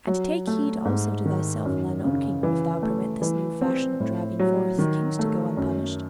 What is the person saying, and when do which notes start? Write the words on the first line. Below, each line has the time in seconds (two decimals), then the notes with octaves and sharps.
And take heed also to thyself and thine own kingdom if thou permit this new fashion of driving forth kings to go unpunished.
0.07 F#3
0.47 A3
0.85 G#2
1.25 D#3
1.65 F#2
2.04 C#3
2.43 E3
2.83 A3
3.22 E3
3.61 C4
4.00 A2
4.40 F#3
4.78 D#3
5.19 A3
5.57 F#2